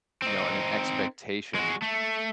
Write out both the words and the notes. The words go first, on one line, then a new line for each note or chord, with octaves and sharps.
you know, and an expectation,
C4 D#4
G#3 F#4
A3